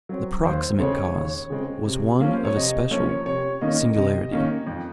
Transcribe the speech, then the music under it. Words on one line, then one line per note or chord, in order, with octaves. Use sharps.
The proximate cause was one of especial singularity.
F#3 C4
D#2 C5
C#3 G#3 C4 C#5
D#2
C#3 G#3 C4
C3
F3 A#3 C#4
C5
C#5
C3 D#5
F3 A#3 C#4 C#5
C#5
C3 C#5
D#3 A#3 C#4 D#5
C3 D#5
D#3 A#3 C#4
F2